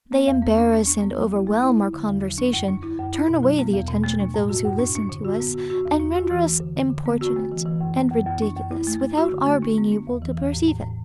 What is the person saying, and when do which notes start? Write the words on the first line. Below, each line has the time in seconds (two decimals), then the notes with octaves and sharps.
They embarrass and overwhelm our conversation, turn away the attention of those who listen to us, and render us importunate, and ridiculous, without our being able to perceive it.
0.12 B3
0.27 E2
0.42 B3
0.58 D4
0.73 D4
0.87 D4
1.02 B3
1.17 F#3
1.33 E4
1.47 A3
1.63 E4
1.77 E4
1.93 D3
2.07 E2
2.24 F#3
2.38 D4
2.53 F#2
2.68 D4
2.83 E4
2.98 F#2
3.14 E4
3.28 B2
3.43 F#3
3.59 B3
3.73 E2
3.88 B2
4.04 A3
4.20 D4
4.34 A2
4.49 F#4
4.65 F#2
4.79 D4
4.95 D4
5.09 D3
5.25 F#4
5.40 B3
5.54 F#4
5.70 F#4
5.85 E2
6.00 D4
6.15 F#4
6.31 E3
6.45 A3
6.60 D3
6.76 D3
6.90 D3
7.06 B3
7.21 F#4
7.36 A3
7.52 E3
7.66 E3
7.81 F#2
7.97 B3
8.11 F#2
8.27 F#2
8.42 D4
8.57 F#2
8.71 E4
8.87 A3
9.01 A3
9.18 F#4
9.32 D3
9.46 A3
9.62 D4
9.78 B3
9.92 D4
10.07 E2
10.22 E3
10.37 E2
10.52 A2
10.68 A2
10.83 A2